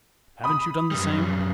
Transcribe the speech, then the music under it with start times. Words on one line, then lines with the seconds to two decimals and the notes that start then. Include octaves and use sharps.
Haven't you done the same?
0.44 B5 D#6
0.91 F#2 G3